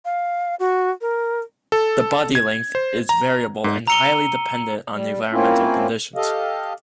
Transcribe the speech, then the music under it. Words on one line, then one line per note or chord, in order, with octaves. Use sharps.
The body length is variable and highly dependent on environmental conditions.
F5
F#4
A#4
A4
G#6
C5
A#5
G#2
A#5 E6 C#7 D#7 G7
G3
A#3 C4 C#4 E4 F4
G4 A4 D#5 F5